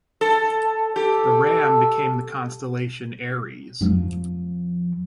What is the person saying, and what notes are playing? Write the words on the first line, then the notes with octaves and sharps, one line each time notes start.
The ram became the constellation Aries.
A4
G4 A4
F2 F3